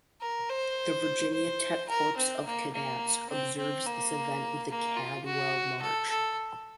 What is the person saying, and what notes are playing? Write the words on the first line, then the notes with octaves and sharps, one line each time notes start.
The Virginia Tech corps of cadets observes this event with the Caldwell March.
A#4
C5
C5
A#4
C4
A#3
A#3
C4
C4
A#3
A#3
F4
F#4
A4
A4